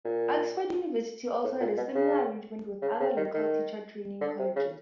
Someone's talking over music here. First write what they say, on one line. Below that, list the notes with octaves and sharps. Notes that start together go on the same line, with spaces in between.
Oxford University also had a similar arrangement with other local teacher training colleges.
A#2
A2
A#2
B2
C#3
C#3
C#3
D#3
D#3
D3
C3
C#3